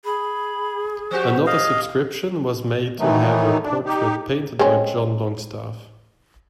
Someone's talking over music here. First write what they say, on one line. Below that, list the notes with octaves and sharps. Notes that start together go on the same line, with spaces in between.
Another subscription was made to have her portrait painted by John Longstaff.
G#4 B5
F3 F#4 G4 C5
A2 D#5 F5
D#3 E3 F#3 A3 D#4
D4
D#4 G4
G#3 C4 C#4